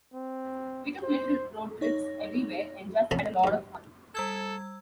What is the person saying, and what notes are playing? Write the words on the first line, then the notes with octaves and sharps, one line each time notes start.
We took little road trips everywhere and just had a lot of fun.
C4
C5
D#4 C#5 A#6
A1 F2 C#4 G#5 A5 B5
G#2 G3
G3 A4 E6 G#6